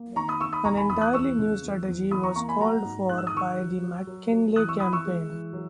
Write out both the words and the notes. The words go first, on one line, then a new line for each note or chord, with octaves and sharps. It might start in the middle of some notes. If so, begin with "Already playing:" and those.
An entirely new strategy was called for by the McKinley campaign.
Already playing: A#3
D#3 A#5 C#6
B5 D#6
D#3 C#6 E6
B5 D#6
E1 A#5 C#6
G#5 B5
E2 B5 D#6
D#6 F#6
E2 C#6 E6
C#3
E2
E2
E2 B5 D#6
A#5 C#6
A#3 A#5 C#6
G#5 B5
F#3 F#5 A#5
G#2
G#2 F#6
E6
D#6
D#3 C#6 E6
F#3
F#3
F#3
F#3
E3 D#6 F#6
C#6 E6
E3 B5 D#6
C#6 E6
G#3
E3
F#3